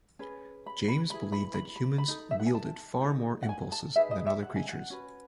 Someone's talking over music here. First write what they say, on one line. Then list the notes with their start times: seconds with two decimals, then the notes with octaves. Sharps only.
James believed that humans wielded far more impulses than other creatures.
0.19 C#4 G#4 B4
0.66 B5
0.88 B5
1.10 E4 G#4 B4 B5
1.32 B5
1.54 B5
1.76 B5
1.98 B5
2.08 D#4 A4
2.31 E5
2.40 F#5
2.46 G#5
2.55 A5
3.02 D#4 A4
3.43 F#5
3.49 G#5
3.72 A5
3.96 D#4 G#4 B4 E5
4.11 D#5
4.26 E5
4.42 F#5
4.56 G#5
4.69 F#5
4.90 C#4 F#4 B4